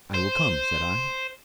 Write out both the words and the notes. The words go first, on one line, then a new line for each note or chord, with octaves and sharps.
"I will come," said I.
C5